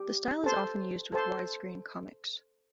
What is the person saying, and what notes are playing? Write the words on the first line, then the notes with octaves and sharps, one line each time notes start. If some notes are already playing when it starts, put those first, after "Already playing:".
The style is often used with widescreen comics.
Already playing: G4
A4 C5 A5 C6
A4 C5 A5 C6